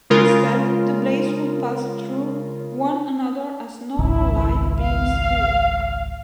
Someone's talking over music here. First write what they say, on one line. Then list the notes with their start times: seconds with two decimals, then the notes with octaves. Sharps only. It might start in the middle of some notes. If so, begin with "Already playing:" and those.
Instead, the blades would pass through one another as normal light beams do.
0.10 C#3 G#3 F4 A#4
3.99 G#1 C#2 E4
4.80 F5